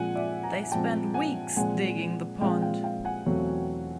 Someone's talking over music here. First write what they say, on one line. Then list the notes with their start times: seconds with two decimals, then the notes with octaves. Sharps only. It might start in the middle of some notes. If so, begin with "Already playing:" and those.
They spent weeks digging the pond.
Already playing: A#2 F3 G#3 C4 F#5 G#5
0.15 D5 E5
0.43 G#5 A#5
0.63 G#5
0.72 A#2 F3 G#3 C4 G5 A5
1.14 F#5 G#5
1.57 A#2 F3 G#3 C4 F#5 G#5
2.41 A#2 F3 G#3 C4 F5 G5
2.62 F5 G5
2.84 F5 G5
3.05 F#5 G#5
3.26 E2 B2 F#3 A3 C4